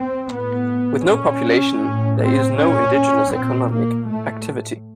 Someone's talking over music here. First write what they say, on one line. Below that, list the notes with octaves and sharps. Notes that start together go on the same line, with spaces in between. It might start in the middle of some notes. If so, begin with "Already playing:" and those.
With no population, there is no indigenous economic activity.
Already playing: C4
A2 B3
A#2 C#4
A2
C4
A#2 C#4
A#2 C4
A#3
A2 A3